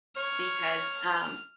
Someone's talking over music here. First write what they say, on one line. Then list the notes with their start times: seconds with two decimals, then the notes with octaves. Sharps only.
because, um,
0.16 C#5 F6